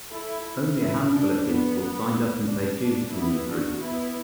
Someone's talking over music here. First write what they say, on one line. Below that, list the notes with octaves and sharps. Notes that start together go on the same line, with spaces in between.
Only a handful of people signed up and paid dues to the new group.
E4 A4
B3 E4
D4
B3
B3
D4
D4
B3 E4
D4 F#4
B3 E4